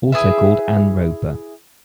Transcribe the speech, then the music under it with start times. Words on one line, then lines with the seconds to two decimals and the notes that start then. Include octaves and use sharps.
Also called Anne Roper.
0.12 E4 G#4 B4 E5